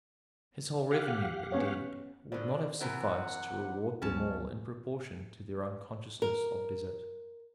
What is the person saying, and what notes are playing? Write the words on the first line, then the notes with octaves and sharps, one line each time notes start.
His whole revenue, indeed, would not have sufficed to reward them all in proportion to their own consciousness of desert.
G4 F5 F#5
B3 C#4 C#5
B2 D3 C5 D5
C3 E3 A#4 C5 F#5
D2 F#3 B3 C#4 A5
A#4